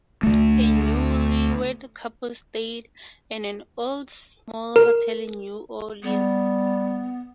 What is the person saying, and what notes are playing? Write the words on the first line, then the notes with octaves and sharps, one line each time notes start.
A newlywed couple stay at an old small hotel in New Orleans.
D2 A3
A#4
G3 B3